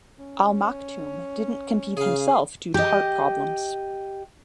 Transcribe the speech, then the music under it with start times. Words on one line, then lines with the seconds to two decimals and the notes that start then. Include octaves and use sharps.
Al Maktoum didn't compete himself due to heart problems.
0.19 C#4
1.97 C#3 G#4 F5
2.74 G4 D#5